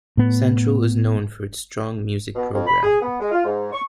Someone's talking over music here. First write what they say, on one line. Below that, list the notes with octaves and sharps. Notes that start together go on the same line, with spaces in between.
Central is known for its strong music program.
A2 B3
B2
F2
B5
G#4
B3
G#3
F4
G#2
C#6